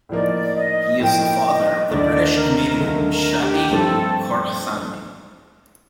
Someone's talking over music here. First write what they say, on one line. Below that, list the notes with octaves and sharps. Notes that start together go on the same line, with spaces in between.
He is the father of the British comedian Shappi Khorsandi.
A2 F3 A#3 D#4 D5
D#5
A2 F3 A#3 D#4 G5
D#5
D#2 D3 A3 D#4 D5
A#4
D#2 D3 A3 D#4 A#4
A#4
G4
G2 F3 A3 C4 A4